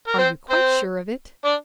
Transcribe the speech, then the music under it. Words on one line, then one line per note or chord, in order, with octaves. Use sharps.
"Are you quite sure of it?"
A#4
C4 C5
C4 C5
D4 D5